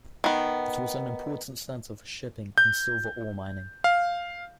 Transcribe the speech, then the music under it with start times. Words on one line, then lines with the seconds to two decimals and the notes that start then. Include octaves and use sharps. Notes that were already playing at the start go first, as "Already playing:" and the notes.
It was an important center for shipping and silver ore mining.
0.24 D#3 B3
2.58 G6
3.84 F5